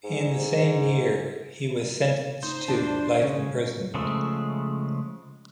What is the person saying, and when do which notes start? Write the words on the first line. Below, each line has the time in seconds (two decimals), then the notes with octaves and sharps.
In the same year he was sentenced to life imprisonment.
0.04 G#2
2.43 D#4 C5
2.68 E2 D4 A5
3.22 C#3 C#4
3.94 C#3 F3 G#3 A3